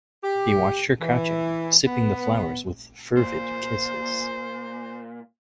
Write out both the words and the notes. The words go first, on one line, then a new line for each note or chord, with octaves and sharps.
He watched her crouching, sipping the flowers with fervid kisses.
G4
E3
B3
A#2 C5